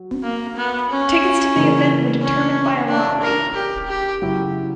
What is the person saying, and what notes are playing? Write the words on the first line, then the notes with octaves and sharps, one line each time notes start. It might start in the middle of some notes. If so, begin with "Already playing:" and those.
Tickets to the event were determined by a lottery.
Already playing: F#3
A#3
B3
C#4
C#3 E3 A#3 E4
C#4
D4
A#4
G4
G4
C#3 F#3 C#4 E4